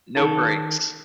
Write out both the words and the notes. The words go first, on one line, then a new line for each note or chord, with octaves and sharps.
No breaks.
D#3 A4